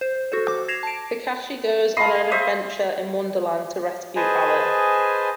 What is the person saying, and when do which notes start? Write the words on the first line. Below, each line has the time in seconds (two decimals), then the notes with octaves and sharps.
Takashi goes on an adventure in Wonderland to rescue Alice.
0.01 C5
0.32 F#4 A4 C5
0.48 D6
0.68 G#6 A#6 C7 E7 F7
0.83 A5 D7
1.97 D#5 F5 A5 B5 C6
2.31 C5 D#5 E5
4.16 G#4 B4 C5 D#5 G#5 A5